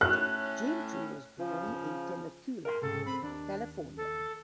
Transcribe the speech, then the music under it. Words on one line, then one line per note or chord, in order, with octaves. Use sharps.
Gentry was born in Temecula, California.
A2 C#4 F#6
C#3 F3
A#4 C6
C2 G#2 C#3 A4
C4 B5
D#2 D4
A4